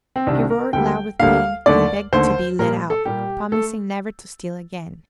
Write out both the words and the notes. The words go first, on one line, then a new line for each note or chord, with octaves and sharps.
He roared loud with pain, and begged to be let out, promising never to steal again.
C4
C2 C3 D#3 D4
A#4
D2 D3 G3 A#3 G5
D2 D3 G3 A#3 F5
D#2 D3 A3 D5
D#2 D3 A3 C5
A#2 G3 A#3 A#4
A4
A#2 G3 A#3 G4
A3 A4